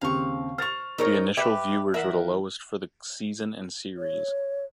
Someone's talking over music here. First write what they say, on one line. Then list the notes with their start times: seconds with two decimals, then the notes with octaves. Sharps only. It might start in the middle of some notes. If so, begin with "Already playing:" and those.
The initial viewers were the lowest for the season and series.
0.01 D#2 C#3 C4 F5 C#6
0.58 C5 C#6 F6 A6 F7
0.98 D#4 A#4 C#5
1.37 G4 B4 E5
1.94 E3 A#4 E5 F#5
3.98 C#5